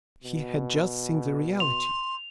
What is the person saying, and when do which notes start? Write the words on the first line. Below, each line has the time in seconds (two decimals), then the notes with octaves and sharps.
He had just seen the reality.
0.24 B2
1.60 C6 F7